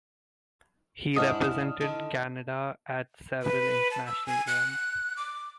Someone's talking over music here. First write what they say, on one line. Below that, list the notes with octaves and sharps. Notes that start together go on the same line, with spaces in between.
He represented Canada at several international events.
G#2 D4 E4 D#6 F6
D3 D#3
B4
A5
E6
G#5
F#6
D6